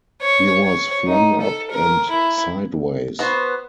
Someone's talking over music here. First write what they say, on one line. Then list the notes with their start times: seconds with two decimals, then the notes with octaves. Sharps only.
He was flung up and sideways.
0.22 C#5
0.63 C#5
1.08 D#4
1.41 A4
1.71 A#4
2.10 E4
3.19 B3 F#4 B4 C5